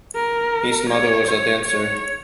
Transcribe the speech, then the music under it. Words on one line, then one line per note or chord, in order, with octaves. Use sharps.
His mother was a dancer.
A#4
C#5
C#5
C#5